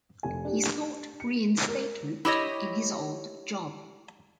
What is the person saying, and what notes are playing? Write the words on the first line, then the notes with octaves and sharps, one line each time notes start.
He sought reinstatement in his old job.
F1 G#5
D4 G4
C#7
A#4
E4 G4 C#5 D#5